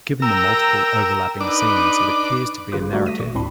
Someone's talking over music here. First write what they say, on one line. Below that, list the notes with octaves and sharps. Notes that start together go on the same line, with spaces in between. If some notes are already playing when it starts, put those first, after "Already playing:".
Given the multiple overlapping scenes, it appears to be a narrative.
A#4 G5 A#5 E6
D4 D#4 B4 D6
G#1 C#3 F4 B4 D6
G3 A3 D4 F#4
D#6 A#6 B6 D#7
G#1 A#2 C#6
D2 A2 C4 D4 B5 C6